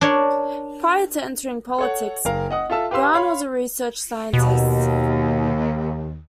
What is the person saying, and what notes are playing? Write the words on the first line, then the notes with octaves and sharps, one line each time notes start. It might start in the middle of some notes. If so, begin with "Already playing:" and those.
Prior to entering politics Brown was a research scientist.
D4 A#4 C#5
A4 C#5 F#5
F#1 A#4 F5 A#5
D#5 F#5 D#6
F4 A4 E5 A5 E6
G4 B4 F5 C6 E6
C#5 F5 B5 C6
D#2 B2